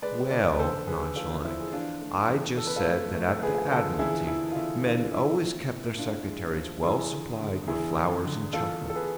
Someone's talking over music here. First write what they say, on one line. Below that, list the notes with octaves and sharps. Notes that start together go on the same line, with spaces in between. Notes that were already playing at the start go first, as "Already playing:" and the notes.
"Well," nonchalantly, "I just said that at the Admiralty men always kept their secretaries well-supplied with flowers and chocolates."
G#3 B4 D5
D3 B4 D5
D3 A4 C5
D3 G#4 B4
F3 F4 A4
F3 E4
G#4
E2 D4 F4
A3
E2
E2 A4
B4
F4 A4
A3
A3
F3 G#4 B4
D3 F4 A4
E2 E4 G#4
E2 E4
F4
E2 E4
E2 D4 F4
F3 E4
A2
A2
A2 D4 F4
G#3
F3
E2 E4 G#4
D3
D3
E2 E4 G#4
E2
D3
E2 F4 A4
E2
A4
G#4 B4